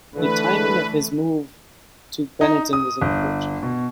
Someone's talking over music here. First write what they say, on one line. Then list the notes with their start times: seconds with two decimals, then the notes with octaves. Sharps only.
The timing of his move to Benetton was unfortunate.
0.15 D3 E3 A3 B4
2.41 D#4
2.73 D#6
3.01 G1
3.63 B2